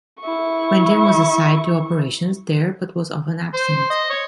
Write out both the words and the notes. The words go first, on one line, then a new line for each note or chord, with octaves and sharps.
Quentin was assigned to operations there but was often absent.
E4 C#6
C5
D#5
C#5